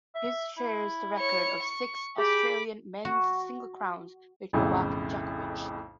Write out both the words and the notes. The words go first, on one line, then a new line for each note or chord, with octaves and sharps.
His shares the record of six Australian men's singles crowns with Novak Djokovic.
E5
E4
C#5 C#7
C#6
G4 G#4 B5 D6
F#4
B1 F2 A2 C#3